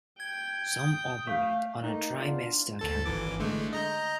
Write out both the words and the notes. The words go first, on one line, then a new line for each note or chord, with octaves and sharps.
Some operate on a trimester calendar.
G5 G#6
D#6
A3 F5
A3 A#3 D#4
B3 D4 F4
D2 A4 A6
G#1 E3 D6
D3 G#3 A3
D#5 A#5 G6